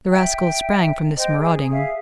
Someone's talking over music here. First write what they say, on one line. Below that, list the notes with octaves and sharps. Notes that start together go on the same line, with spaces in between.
The rascal sprang from this marauding.
E5 G5
C5 D#5 G5
G#4
G#4 E5 F5